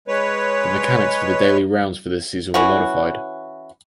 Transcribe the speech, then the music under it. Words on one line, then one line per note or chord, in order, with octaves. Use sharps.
The mechanics for the daily rounds for this season were modified.
G#3 B4 C#5
E3 C#4 F#4